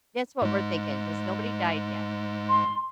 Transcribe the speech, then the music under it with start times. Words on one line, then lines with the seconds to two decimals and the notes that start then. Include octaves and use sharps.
That's what we're thinking 'cause nobody died yet.
0.42 G#2 G#3
2.50 C6